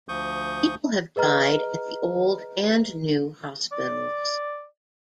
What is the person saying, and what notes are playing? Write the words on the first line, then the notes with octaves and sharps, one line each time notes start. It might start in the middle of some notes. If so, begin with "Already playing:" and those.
People have died at the old and new hospitals.
D2 F3 C#6 D#6 G6
G#4 B4 D#5 A#5 F6
D5